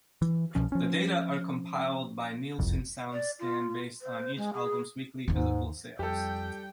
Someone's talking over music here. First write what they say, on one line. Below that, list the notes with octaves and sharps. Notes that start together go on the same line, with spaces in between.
The data are compiled by Nielsen Soundscan based on each album's weekly physical sales.
E3
C2 B2 F3 C#4
F3 C#4
F#1 C2 F2
D5
F4
C5
G#3
G#4
D#2 G#2 D#3
F2 G3 G4 A4 G5